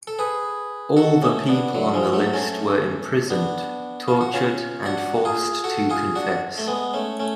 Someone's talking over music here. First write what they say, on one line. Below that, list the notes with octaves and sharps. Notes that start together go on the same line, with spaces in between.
All the people on the list were imprisoned, tortured and forced to confess.
A4
G#4 B4
F#4 A4
A3 C#4
B3 D4
D3 F#3
F3 G#3
F#3 A3
A3 C#4
B3 D4
F4
F#4
C#4 F4
D4 F#4
F4 G#4
F#4 A4
F4 G#4
D4 F#4
A3
G#3 B3
A3 C#4
A3 C#4